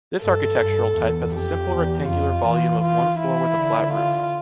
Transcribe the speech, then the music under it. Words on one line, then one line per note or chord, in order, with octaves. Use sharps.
This architectural type has a simple rectangular volume of one floor with a flat roof.
G2 A4
G2
E2
F2 G4
E2
F2 F4
E3
F4
E3 E4
D3
F4